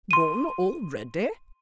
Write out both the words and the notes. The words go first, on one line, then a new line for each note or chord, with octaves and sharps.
"Gone already?"
C6 D#7